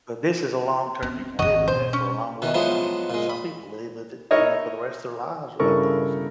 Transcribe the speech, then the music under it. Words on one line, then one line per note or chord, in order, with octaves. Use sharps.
but this is a long term you can live with that for a long, long time, you know, some people live with it, you know, for the rest of their lives without causing
B3 C4
D#1 G#1 F#4 D#5
B2 C5
C#4
B2 D#3 E3
F3 F#3 G#3 B3 E4
A#2 G#3
B5
D#4 E4 A#4 C#5 D#5
G2 C#3 E4 A4 A#4 C#6